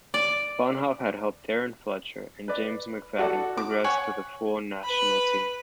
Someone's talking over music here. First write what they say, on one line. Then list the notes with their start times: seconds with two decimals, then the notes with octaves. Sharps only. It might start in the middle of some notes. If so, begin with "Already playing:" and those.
Bonhof had helped Darren Fletcher and James McFadden progress to the full national team.
0.14 D5
2.48 B4 D5
3.19 F#4 A4 D5
3.57 D6
3.84 C#5 F#5 G#5
4.85 B4 B5